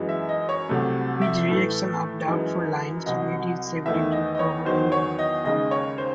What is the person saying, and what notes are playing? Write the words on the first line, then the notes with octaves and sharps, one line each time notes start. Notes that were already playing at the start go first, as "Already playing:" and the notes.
His rejection of doubtful lines made his severity proverbial.
Already playing: F#2 E3 G#3
E5
D#5
C#5
C2 C3 F#3 A3
E5
A2 E3 A3
F#2 E3 G#3
C2 C3 F#3 D#5
E2 D#3 A3 E5
D#5
D#5
C#5
E2 D#3 F#3 C5
C#5
D#5
D#2 C#3 G#3 D#5
C#5
C5